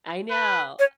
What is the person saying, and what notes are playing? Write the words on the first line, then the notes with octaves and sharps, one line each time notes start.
I know
B4
C#5